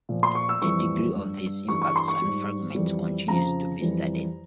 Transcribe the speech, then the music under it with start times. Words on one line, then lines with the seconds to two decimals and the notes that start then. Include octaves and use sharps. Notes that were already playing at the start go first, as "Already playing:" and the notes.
The degree of these impacts on fragments continues to be studied.
0.09 A#2 F3
0.23 C6
0.35 C#6
0.49 E6
0.62 F2 E3 G3 C#6
1.16 G2 G3
1.68 G2 E3 G3 C#6
1.82 C#6
1.96 C6
2.08 C#6
2.22 G#2 G3
2.75 F2 E3 G3
3.28 F2 C#3 F3 A#5
3.81 F2 E3 G3